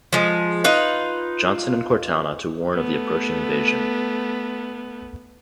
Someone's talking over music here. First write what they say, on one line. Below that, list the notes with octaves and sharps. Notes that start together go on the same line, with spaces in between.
Johnson and Cortana to warn of the approaching invasion.
F3 G#3
D#4 F4 B4
A3 B3